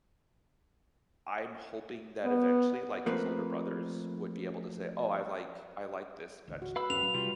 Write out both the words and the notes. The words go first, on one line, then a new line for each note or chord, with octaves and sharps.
I'm hoping that eventually, like, his older brothers would be able to say, "Oh, I like I like this vegetable,"
B3
F3 A3 A#3 C4 B4
G#1 C#2
F#4
B4 F5 B5 E6
G1 E2 C#4 F7
A1 F#3 C#4
C3 G3 F4